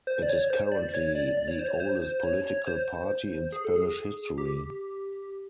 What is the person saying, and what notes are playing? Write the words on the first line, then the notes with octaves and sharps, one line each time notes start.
It is the currently the oldest political party in Spanish history.
C5
D5
C#5
C5
D5
C#5
D5
D5
C#5
C5
C#5
C5
C5
C#5
C#5
C5
G#4
A4
G#4
G4